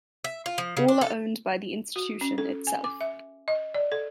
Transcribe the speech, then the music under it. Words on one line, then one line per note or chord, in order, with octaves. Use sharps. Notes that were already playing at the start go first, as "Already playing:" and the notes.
All are owned by the Institution itself.
E5
F4
F3
C#3
D4
A4
F#4
C#4
A4
G#5
D6
E5
D#5
D5
A4